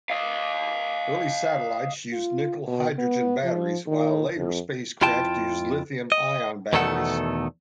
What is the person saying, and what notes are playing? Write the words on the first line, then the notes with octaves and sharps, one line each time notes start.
Early satellites used nickel-hydrogen batteries, while later spacecraft use lithium-ion batteries.
D#5 F5
F4
B2
B3
F3
D#3
F2
F2 E4 F4 G5 A5
D#5
E2 B2 D#3 A3 A4 F#5